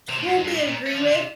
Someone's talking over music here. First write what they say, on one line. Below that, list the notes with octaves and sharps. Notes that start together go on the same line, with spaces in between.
totally agree with,
C3
A2
G2
F2
G2
A2
A#2
A3
F3
D3
C3